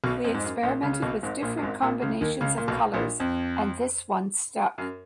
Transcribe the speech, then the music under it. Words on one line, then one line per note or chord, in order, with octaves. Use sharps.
We experimented with different combinations of colours and this one stuck.
B1 B2
F2
G#2
F#2
A#1 A#2
C#2 C#3
C#3
B1 B2
G#1 G#2
A#1 A#2
F#2
G#1 G#2
A#1 A#2
C#2 C#3
D#2 D#3
C#2 C#3
A#2
B1 B2
A#1 A#2
F2
F#2